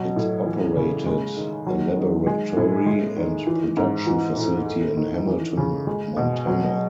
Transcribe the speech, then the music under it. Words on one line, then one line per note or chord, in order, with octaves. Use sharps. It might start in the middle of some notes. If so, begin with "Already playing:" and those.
It operated a laboratory and production facility in Hamilton, Montana.
Already playing: B2 F#3
A2
E3
C#3
G#3
D#3
F#3
D#3
G#3
A2
G#3
D#3
E3
G#2
E3
A2
A3
D#3
E3
C#3
G#3
B2
F#3